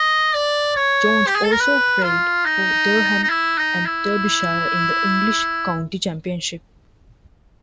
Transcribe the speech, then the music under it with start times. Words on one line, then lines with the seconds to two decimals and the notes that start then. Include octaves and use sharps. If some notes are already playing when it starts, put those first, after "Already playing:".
Jones also played for Durham and Derbyshire in the English County Championship.
Already playing: D#5
0.34 D5
0.76 C#5
1.27 G4
1.35 G#4
1.44 A4
1.52 A#4
1.60 B4
2.03 F4
2.45 D#4
3.23 D#4
3.30 E4
3.58 D#4
3.86 E4